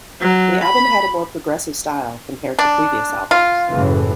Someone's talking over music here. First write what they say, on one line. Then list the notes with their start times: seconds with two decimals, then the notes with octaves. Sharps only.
The album had a more progressive style compared to previous albums.
0.21 F#3
0.62 B5
2.59 D4
3.31 F4
3.70 F#1 A2 E3